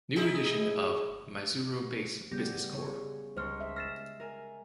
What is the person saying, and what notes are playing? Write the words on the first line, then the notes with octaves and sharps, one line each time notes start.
New edition of Maizuru Base Business Corps.
D#4 E4 G#4
C#3 G3 B3 G4 G6 A#6
C#3 C#5
C#2 C#4 C5 C6 F6
E5
F6 A6 A#6 C7 E7
A#4 G#5